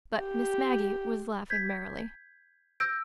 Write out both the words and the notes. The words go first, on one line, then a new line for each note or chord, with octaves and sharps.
But Miss Maggie was laughing merrily.
G4
G6 G#6 B6
E6 G6 A#6 D7